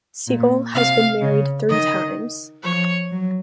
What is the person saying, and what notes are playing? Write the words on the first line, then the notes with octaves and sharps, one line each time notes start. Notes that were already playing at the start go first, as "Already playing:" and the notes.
Segal has been married three times.
A#2
C3 F5
C#3
D#3 D#5
F3 C#5
F#3